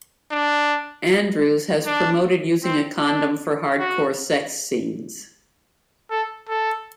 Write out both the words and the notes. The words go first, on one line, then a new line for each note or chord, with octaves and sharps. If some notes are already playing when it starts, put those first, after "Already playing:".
Andrews has promoted using a condom for hardcore sex scenes.
D4
D4
C4
D4
F#4
A4
A4